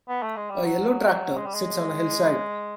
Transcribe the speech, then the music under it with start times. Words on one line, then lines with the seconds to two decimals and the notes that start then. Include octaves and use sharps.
A yellow tractor sits on a hillside.
0.08 B3
0.23 A3
0.37 G#3
0.50 G3
0.65 F#3
1.37 G#3
1.46 G3
1.54 G#3